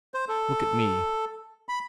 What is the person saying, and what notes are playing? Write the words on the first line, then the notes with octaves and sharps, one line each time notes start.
Look at me.
C5
A4
B5